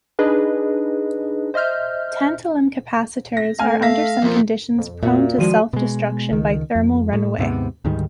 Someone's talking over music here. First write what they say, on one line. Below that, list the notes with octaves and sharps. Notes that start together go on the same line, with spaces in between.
Tantalum capacitors are under some conditions prone to self-destruction by thermal runaway.
D4 D#4 G#4 B4 D#5
C5 D#5 E5 F6 G6
A#6
A3 F5 G#5 F6
E5 F5 A#6 B6
F2 A#3 F4
F2
A#2 F#4 E5
D#3 F3 G#3 F#4 D5 D#7
B2 G#3
C#2 D#3
F2
A2
D#2 G#2 C3 B3
D2 G#2 D#3 G3